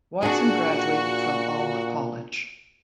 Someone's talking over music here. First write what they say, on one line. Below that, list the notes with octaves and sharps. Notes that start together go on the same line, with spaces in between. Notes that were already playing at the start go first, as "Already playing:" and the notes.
Watson graduated from Alma College.
A#2 D4 F#4 G#4